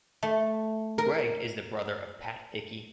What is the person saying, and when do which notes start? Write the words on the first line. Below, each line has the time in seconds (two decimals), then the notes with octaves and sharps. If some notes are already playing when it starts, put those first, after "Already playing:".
Greg is the brother of Pat Hickey.
0.23 A3
0.98 A#4